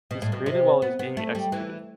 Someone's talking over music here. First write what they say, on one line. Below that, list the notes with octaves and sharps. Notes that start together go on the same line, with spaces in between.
It is created while it is being executed.
B2
A2
B2
C3
B3
B3
A3
G3
E3